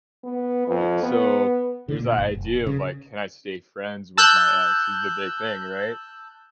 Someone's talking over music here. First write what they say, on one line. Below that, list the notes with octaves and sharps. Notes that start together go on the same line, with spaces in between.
so, there's the idea of, like, can I stay friends with my ex is the big thing, right?
B3
F2
B3
D3
A#2
G1
F1
C#3
A5 E6 F#6 G6